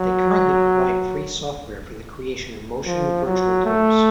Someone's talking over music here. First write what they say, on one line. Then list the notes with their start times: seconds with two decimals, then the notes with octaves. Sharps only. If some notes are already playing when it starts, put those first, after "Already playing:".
They currently provide free software for the creation of motion virtual tours.
Already playing: F#3
2.86 F3
3.26 F#3
3.66 A3